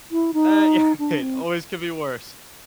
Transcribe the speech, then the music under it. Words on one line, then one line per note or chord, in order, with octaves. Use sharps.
Uh, yeah. Hey, it always could be worse.
E4
D#4
D4
C4